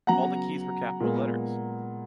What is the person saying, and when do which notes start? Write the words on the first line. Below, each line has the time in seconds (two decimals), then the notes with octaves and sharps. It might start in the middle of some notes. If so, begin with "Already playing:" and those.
All the keys were capital letters.
0.07 C#3 F#3 B3 F#5 A#5
1.00 A#2 G#3 B3